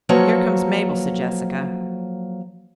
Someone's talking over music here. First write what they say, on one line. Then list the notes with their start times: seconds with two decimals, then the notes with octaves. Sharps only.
"Here comes Mabel," said Jessica.
0.09 F3 F#3 A#3 A4 B4 C#5